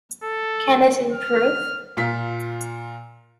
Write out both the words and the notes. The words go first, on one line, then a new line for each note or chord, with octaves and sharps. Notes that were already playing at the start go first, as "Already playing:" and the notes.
Can it improve?
A4
F6
A#2 F4 B6